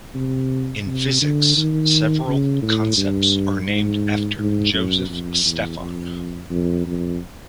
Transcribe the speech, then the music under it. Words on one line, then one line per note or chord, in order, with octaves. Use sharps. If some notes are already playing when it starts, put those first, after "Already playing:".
In physics, several concepts are named after Joseph Stefan.
C3
C3
D3
D#3
C#3
A2
G2
G#2
G#2
F#2
F2
E2
F2
F2
F2